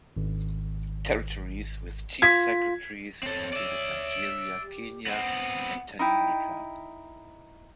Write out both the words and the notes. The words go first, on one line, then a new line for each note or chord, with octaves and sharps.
Territories with Chief Secretaries included Nigeria, Kenya and Tanganyika.
G#1
F4 G#6 B6
C4 A4 C#5
D5 E5
G4
B3 C4 F#5
D#4 E4 G5